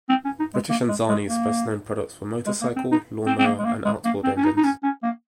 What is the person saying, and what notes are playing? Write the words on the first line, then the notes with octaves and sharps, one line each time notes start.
British Anzani's best known products were motorcycle, lawnmower and outboard engines.
C4
C#4
D#4
G#3
A#3
G#3
G#3
A#3
G#3
A#3
C4
D#4
C4
C4
A#3
G#3
A#3
G#3
A#3
C4
C#4
D#4
D#4
C#4
C#4
A#3